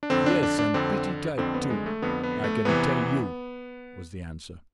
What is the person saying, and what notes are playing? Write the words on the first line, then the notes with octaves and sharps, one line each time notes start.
"Yes, and pretty tight too, I can tell you," was the answer.
D4
F2 D3 C4
D4
D4
D4
F2 D3 C4
F2 D3 C4
B3
G#3
A3
F2 D3 B3
B3
A3
E2 C3 E3 B3